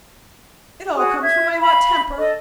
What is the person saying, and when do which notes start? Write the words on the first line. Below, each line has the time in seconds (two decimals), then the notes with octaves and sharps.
'It all comes from my hot temper!
0.96 F#4 G#4 D#6
1.22 E5 G#6
1.60 F5 B5
2.18 A4 D#5